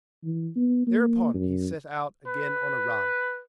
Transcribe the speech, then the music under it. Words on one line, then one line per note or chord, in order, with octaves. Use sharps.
Thereupon he set out again on a run.
E3
B3
A#3
F#2
B4